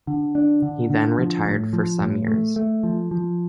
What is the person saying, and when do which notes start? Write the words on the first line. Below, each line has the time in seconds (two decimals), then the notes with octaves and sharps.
He then retired for some years.
0.07 D3
0.35 D4
0.62 D3
0.90 D3
1.18 F3
1.45 A2
1.73 F3
2.01 A2
2.28 A3
2.56 A3
2.83 F3
3.11 F3